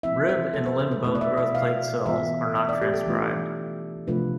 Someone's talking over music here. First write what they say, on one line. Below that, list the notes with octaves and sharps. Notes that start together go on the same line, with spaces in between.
Rib and limb bone growth plate cells are not transcribed.
F3 C4 E4 E5
C5
A4
C5
C5
B4
B2 A3 E4 B4
D5
E5
E5
F5
E3 B3 F4 E5
E5
D5
G4
A4
E3 A3 D4 F4
C3 F3 A3 D4 F4 B4